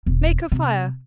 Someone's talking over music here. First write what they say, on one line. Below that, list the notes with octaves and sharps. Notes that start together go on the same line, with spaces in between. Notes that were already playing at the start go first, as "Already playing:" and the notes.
Make a fire.
E1
C3